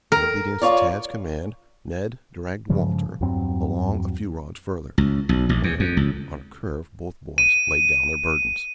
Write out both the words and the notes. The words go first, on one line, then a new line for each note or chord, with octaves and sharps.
In obedience to Tad's command, Ned dragged Walter along a few rods further, where on a curve both boys laid down their burdens.
A#4
F4 C#5 D5
G2 C#3 F3 G#3
E2 G2 F#3 C4
C#2
B1
A#1
E2
F2
C#2
D#7